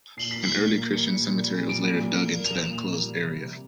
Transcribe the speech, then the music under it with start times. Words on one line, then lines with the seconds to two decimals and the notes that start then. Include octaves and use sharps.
An early Christian cemetery was later dug into the enclosed area.
0.17 A#2 C7
0.31 B6
0.36 A#2
0.45 C7
0.55 A#2
0.74 A#3
0.93 G3 C#7
1.13 A#2
1.31 G3
1.50 A#2
1.69 G3 D7
1.89 A#2
2.08 A#2
2.27 A#3
2.45 A#3 F7
2.53 E7
2.61 A#2 F7
2.84 A#3
3.02 G3
3.22 C3
3.41 C3